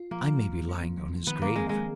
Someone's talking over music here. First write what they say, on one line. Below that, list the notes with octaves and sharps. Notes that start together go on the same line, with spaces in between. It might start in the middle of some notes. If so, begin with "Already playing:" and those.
I may be lying on his grave.
Already playing: F4
F3 A#3
F3
F3
F3
D#3 B3
A#3
G#3 C4
G#3